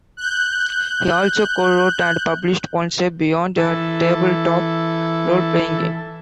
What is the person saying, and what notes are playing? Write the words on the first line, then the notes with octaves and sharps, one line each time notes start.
He also co-wrote and published "One Step Beyond", a tabletop role-playing game.
F#6 G6
E3 A4